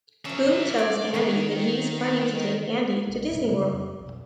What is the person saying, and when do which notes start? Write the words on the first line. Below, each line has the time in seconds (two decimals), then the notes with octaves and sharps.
Lou tells Andy that he's planning to take Andy to Disney World.
0.25 F3 A#3 C#4 E5
0.78 C#5 D5 F5 G#5
1.14 D#3 G3 A3 F#4
3.07 A#1 E2 G#3
3.30 F#2 C3
3.51 C#3
3.73 F2 C#4
3.99 B1 F2 C3